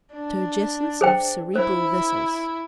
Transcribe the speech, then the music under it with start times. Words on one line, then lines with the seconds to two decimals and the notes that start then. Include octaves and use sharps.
Turgescence of cerebral vessels.
0.13 D4
1.01 G#4 C5 G5
1.55 E4 C5